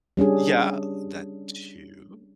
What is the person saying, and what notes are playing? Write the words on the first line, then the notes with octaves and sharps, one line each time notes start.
Yeah, that too.
G3 C#4 D4 G#4